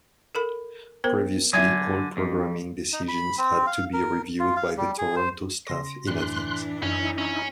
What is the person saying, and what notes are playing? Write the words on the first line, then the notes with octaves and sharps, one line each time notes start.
Previously, all programming decisions had to be reviewed by the Toronto staff in advance.
A4 A#4 B5
B3 A#4 C5
D3 F#3 E5 G#5
F2
D#4
B5
C4
F5
A#4
F4
F5
G3
G#4
C5
C#3 C6 A#6
F#2 A2 E3 D4 C6 F#6
F#2 C#4 D#4 E4
C#4